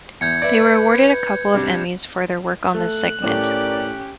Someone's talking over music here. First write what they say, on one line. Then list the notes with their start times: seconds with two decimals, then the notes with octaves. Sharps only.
They were awarded a couple of Emmys for their work on this segment.
0.21 E2 G6 G#6 C#7
0.42 B4 D5 E5
1.54 C3 G3 D4
2.74 A3 F#6
3.23 A2 C#4 G4 A#4 D5